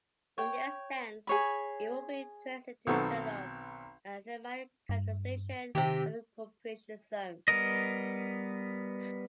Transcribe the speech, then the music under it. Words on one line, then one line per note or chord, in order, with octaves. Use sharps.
In this sense, it would be interesting to develop a thematic capitalization of the cooperation zone.
C#5 G5
G#4 C#5 B5
B1 D#3 B3 C4 A4 C#6
G2
C3 D#3 C4 G4
G3 B3 A#4 D#5